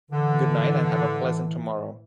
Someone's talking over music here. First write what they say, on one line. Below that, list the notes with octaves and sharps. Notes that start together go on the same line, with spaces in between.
Goodnight and have a pleasant tomorrow.
A2 D3 E3